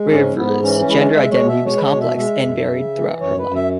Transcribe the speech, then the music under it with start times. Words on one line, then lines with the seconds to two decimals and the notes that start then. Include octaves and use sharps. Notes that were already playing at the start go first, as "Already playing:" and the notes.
Rivera's gender identity was complex and varied throughout her life.
Already playing: G#3
0.11 G#2 C#4
0.37 G#2 B3
0.63 E3 C#4
0.80 C#4
0.88 G#3 E4
0.97 C#4
1.14 G#3 E5
1.31 C#5
1.40 B2
1.48 E5
1.66 G#3 C#5
1.77 B4
1.83 C#5
1.92 B2
2.01 E5
2.17 G#3 E5
2.43 F#2
2.70 C#3
2.95 E3
3.20 F#2 C#5
3.38 B4
3.47 F#2
3.55 E5